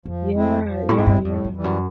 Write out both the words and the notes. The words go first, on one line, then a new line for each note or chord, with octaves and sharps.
Yeah, yeah, yeah.
F2 F3
G#3 C4 E4
F3
A2
G#2 G#3 C4 E4
G2
F#2
F2 A2
F2
E3 G3
F#2